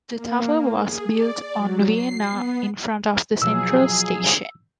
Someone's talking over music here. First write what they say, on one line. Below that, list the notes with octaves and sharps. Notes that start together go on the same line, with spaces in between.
The tower was built on Weena in front of the Central station.
A#3
G#4
D5
F#3
C7
B3
B2 F3 F#3 G#4 E6